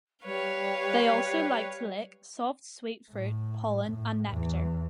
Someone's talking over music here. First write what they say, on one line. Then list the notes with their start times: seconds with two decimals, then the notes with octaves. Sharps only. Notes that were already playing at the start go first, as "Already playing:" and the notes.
They also like to lick soft, sweet fruit, pollen and nectar.
0.25 G3 B4 C#5 F5
3.12 A2
3.86 A2
4.30 E2